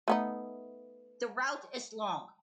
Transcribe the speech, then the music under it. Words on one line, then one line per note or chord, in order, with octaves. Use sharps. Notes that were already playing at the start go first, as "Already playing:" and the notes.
The route is long.
A3 B3 D#4